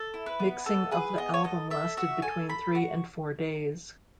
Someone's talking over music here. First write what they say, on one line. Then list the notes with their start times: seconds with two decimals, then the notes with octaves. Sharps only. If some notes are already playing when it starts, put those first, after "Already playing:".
Mixing of the album lasted between three and four days.
Already playing: A4
0.14 E4
0.26 B4
0.40 B3
0.65 B3 A4
0.91 G#4 B4
1.18 B3 D#5
1.34 C#5
1.44 A4 D#5
1.70 A4 E5
1.97 F#4 E5
2.22 A4 G#5
2.49 A4 B5
2.75 F#4